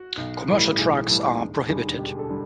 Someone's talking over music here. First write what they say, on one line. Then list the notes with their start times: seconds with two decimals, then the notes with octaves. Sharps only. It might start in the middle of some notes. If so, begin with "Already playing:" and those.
Commercial trucks are prohibited.
Already playing: F#4
0.17 B1
0.48 A2 E3 G3
0.78 B1 G#4
1.08 A2 E3 G3 A4
1.38 E1
1.68 D#2 D3 G3 G#4
1.98 E1 G4
2.19 A4
2.29 D3 G3